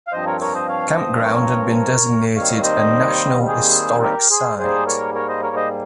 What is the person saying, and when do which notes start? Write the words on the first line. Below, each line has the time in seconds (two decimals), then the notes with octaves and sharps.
The campground has been designated a National Historic Site.
0.08 F5
0.12 G2 F3 C4 C5 D#5
0.26 A#4 C#5
0.41 A#4 C#5
0.54 C5 D#5
0.68 C#5 F5
0.96 C5 D#5
1.24 A#4 C#5
2.36 D#2 D#3 G3 C4 C#5 F5
2.63 C5 D#5
3.47 G#4 C5
4.03 G4 A#4
4.30 G#4 C5
4.58 G#2 G3 A#3 G#4 C5
4.87 A#4 C#5
5.14 A#4 C#5
5.28 C5 D#5
5.42 A#4 C#5
5.56 C5 D#5